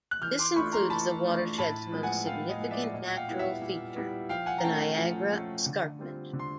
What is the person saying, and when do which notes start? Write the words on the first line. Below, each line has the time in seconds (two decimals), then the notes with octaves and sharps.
This includes the watershed's most significant natural feature, the Niagara Escarpment.
0.11 F#6
0.22 E3 F6 G6
0.39 C6 D6
0.56 A3 D4 F4 B5 C#6
0.73 A#5 C6
0.90 E3 A5 B5
1.24 A3 D4 F4
1.58 A2 A5 B5
1.92 F3 G#3 B3
2.03 F#5 G#5
2.26 A2 F5 G5
2.49 D#5
2.60 F3 G#3 B3
2.71 D5 E5
2.94 A#2 D#5
3.07 F#5
3.17 F5 G5
3.28 G3 B3 E4
3.39 E5 F#5
3.62 A#2
3.96 G3 B3 E4
4.29 F3 F5 G5
4.46 F#5 G#5
4.58 A#5
4.64 A3 C#4 G5 A5
4.98 F3
5.32 A3 C#4
5.66 D3
5.99 G3 C4 F4
6.33 D3
6.39 C6